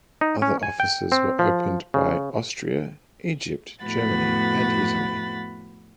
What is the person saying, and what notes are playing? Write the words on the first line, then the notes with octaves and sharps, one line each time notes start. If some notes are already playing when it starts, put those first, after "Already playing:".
Other offices were opened by Austria, Egypt, Germany and Italy.
D#4
C#4
G#5
G5
C4
F3
C#3
F2 A2 B3 F#4 B5 A6